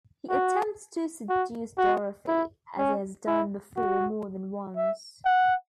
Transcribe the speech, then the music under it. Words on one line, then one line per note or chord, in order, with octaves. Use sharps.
He attempts to seduce Dorothy, as he has done before more than once.
F#4
F#4
F#4
E4
C#4
E4
F#4
E5
F#5